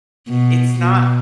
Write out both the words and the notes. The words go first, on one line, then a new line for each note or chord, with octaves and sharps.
it's not
B2
B2